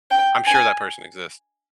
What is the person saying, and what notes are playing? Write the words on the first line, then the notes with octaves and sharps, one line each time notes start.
I'm sure that person exists,
G5
G#5